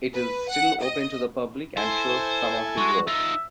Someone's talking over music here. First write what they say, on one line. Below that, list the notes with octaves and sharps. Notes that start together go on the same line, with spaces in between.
It is still open to the public and shows some of his work.
B4
F#5
D#5
E4 A4 C5 G#5
G#3 F#4
D#4 F4 E5